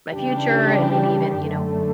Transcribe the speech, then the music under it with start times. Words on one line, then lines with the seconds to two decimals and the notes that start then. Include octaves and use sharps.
my future and maybe even, you know,
0.13 C#3 E3 G3 D4 G4
1.41 F#2 D3 A3